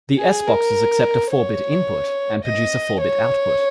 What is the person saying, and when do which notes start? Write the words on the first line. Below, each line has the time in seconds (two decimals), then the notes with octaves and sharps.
The S-boxes accept a four-bit input and produce a four-bit output.
0.18 G#4
0.47 A#4
1.32 C#5
2.45 D#5
3.01 C#5